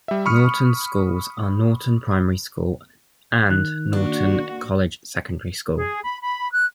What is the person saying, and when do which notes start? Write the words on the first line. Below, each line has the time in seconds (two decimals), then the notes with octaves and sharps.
Norton's schools are Norton Primary School, and Norton College secondary school.
0.08 G3 E5
0.25 B5 C#6 D#6 F6 C#7
3.50 D#3 F#6
3.93 A#3 D4 F#4
5.76 G#4
6.04 B5
6.21 B5
6.52 F#6